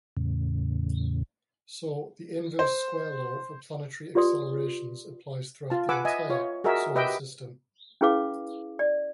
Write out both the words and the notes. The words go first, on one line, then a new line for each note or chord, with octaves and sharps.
So the inverse square law for planetary accelerations applies throughout the entire solar system.
E2 A2 C#3
C5
F4 G4 B4 D5 C6 D#6
F4 A5
B4 F#5 G#5 D6 E6
D#5 E5 G#5
F4 C#5
F#4 G#4 A#4 D#5 E5
G4 B4 D#5 E5 G5
C#4 E4 G#4 B4 F5 D6
D5